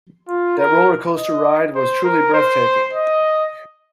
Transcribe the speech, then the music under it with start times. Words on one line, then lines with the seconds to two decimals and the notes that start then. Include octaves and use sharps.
That roller coaster ride was truly breathtaking.
0.28 F4
0.58 A#4
1.16 D#5
1.75 C5
2.04 A#4
2.33 C5
2.93 D#5